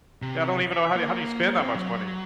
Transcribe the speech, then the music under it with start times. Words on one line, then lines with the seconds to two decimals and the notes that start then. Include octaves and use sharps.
Yeah, I don't even know how do how do you spend that much money?
0.22 C3
0.72 E5
0.95 A#3
1.60 C4
1.75 F#3